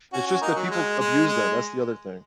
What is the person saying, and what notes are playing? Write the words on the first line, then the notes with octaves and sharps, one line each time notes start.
It's just that people abuse them, that's the other thing.
C#4 F#4
C#4 F#4
A#3 D#4
F#3
G#3
G#3
G#3